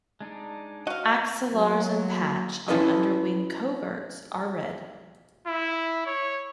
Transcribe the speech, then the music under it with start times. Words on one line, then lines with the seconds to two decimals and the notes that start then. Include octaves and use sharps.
Axillars and patch on underwing coverts are red.
0.21 G#3 D4 D#4
0.87 F#4 D#5 F5
1.53 F#3 A#3
2.68 C#4 E4 A4 B4 D#5
5.47 E4
6.06 C#5